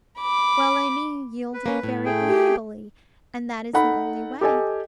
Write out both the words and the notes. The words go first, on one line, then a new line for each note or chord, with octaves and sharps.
'Well, Amy, you yielded very amiably, and that is the only way.
B5 D6
B4
A#3 C#4
A2
A3 G#4 G5
G4
D#4 A4 F#5 B5
G4 A4 D#5 G#5